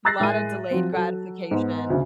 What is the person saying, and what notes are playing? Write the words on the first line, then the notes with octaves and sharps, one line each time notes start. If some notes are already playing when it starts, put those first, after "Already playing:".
A lotta delayed gratification.
A#5 E6 F#6 A6 A#6 C7
A2 G#3 A#4 D#7
F3 F#3 C4
F#3 A4
G#2 B3
D2 C#3